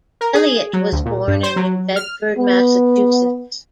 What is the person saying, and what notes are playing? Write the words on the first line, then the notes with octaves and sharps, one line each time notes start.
Eliot was born in New Bedford, Massachusetts.
A#4
G#4
F#3
D2
A#2
G2
C5
F#3
F6
B3